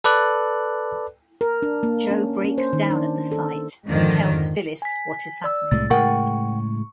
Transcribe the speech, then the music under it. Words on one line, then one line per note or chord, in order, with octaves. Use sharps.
Joe breaks down at the sight and tells Phyllis what is happening.
A4 B4 D5 F#6
A#4
D4
A#3
C#4
C#4
C5
D#3
D4
A4
F2 G#2 D3 D#3 F3
G#5 B6
D5 E6
C2 A2 G#3 A6
A2 C#3 G#3 A#4 F#5 G5 C#6